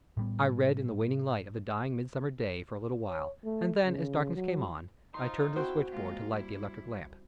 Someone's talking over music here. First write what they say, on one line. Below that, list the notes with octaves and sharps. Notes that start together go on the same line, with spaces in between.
I read in the waning light of the dying midsummer day for a little while, and then, as darkness came on, I turned to the switch-board to light the electric lamp.
A2 G3 B3
C#5
A3
C#3
F#3
D#4 F4 C5 C6
C4 E4 F#4 C5 G5
G#3 A#3 F4
G3 E4